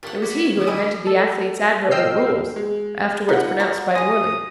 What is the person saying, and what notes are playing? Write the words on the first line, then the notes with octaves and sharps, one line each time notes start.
It was he who invented the athlete's admirable rules, afterwards reproduced by Morley.
A#2 A3 G4 F#5
B3 F#4 D6 G#6 B6
D3 D#3
E3 G3 E4 D#5 G#5 D#6
A4
D#5 G5 E6 F6 G6 C7
G#3
D#4 F4 F#5
F#4 A#4 C#5
G#3 C#4 D#6 A#6